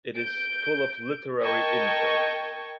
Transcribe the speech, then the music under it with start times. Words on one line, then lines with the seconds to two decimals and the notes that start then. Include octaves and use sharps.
It is full of literary in-jokes.
0.16 G6 D7
1.42 A#4 D#5 G5 A5 C#6 G#6